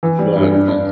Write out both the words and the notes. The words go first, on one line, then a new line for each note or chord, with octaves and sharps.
but, uh
E3
G3
G2
D4
D4